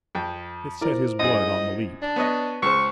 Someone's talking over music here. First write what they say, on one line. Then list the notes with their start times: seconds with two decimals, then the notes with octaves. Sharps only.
It set his blood on the leap.
0.15 F2 G5
0.81 E4 F4 A#4 C5 D5
1.19 F#2 G#4 D#5
2.02 D4 A5
2.16 B3 C#5 D#5
2.62 C#2 C5 C#6